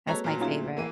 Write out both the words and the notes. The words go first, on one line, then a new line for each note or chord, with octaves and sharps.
That's my favorite.
G#3 A#3 C4 F#4 A4 B4 C#5 A#5
A#2 F#3 A3 F6
C#4 D#4 F4 G4 G#4 E5
E3 A#3 D#7